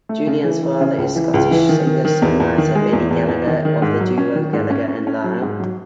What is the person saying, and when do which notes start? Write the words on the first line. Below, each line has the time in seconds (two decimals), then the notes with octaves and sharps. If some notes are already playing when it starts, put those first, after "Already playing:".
Julian's father is Scottish singer-songwriter Benny Gallagher, of the duo Gallagher and Lyle.
0.09 A3
0.27 C#3
0.44 E3
0.63 E3
0.80 C#3
0.98 C#2
1.16 E3
1.34 C#2
1.51 E3
1.69 D#3
1.87 D#3
2.05 D#3
2.22 E2
2.40 E2
2.58 D#3
2.75 G#3
2.93 E2
3.11 E2
3.29 E2
3.47 D#3
3.65 D#3
3.82 G#2
4.00 F#3
4.18 C#4
4.35 D#3
4.53 G#2
4.70 C#4
4.88 C#4
5.07 C#4
5.24 F#3
5.42 G#2
5.60 F#3